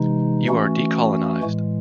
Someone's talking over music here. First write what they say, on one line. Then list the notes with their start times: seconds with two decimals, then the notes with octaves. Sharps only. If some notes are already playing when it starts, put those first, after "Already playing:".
You are decolonized.
Already playing: C3 E3 G#3 D#4
0.48 E3 A3 C#4 F#4
1.43 A2 E3 G#3